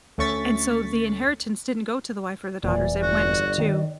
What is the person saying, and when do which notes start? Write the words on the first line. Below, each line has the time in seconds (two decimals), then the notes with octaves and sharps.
And so the inheritance didn't go to the wife or the daughters, it went to
0.18 D2 A3 C#4 C#6 A6 B6
2.64 E1 A#2 E3 D5
3.02 G1 F#4
3.58 D#3